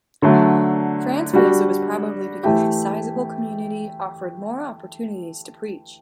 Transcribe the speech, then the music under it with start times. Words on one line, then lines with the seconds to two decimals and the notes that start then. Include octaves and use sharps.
France feels it was probably because the sizeable community offered more opportunities to preach.
0.22 D3 F#3 A3
1.33 G3 D4 F#4
2.43 E3 A3 E4 G4